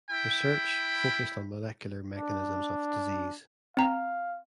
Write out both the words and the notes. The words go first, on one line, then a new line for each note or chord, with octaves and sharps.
Research focused on molecular mechanisms of disease.
E4 G5 B5
D4
C4 F5 A#5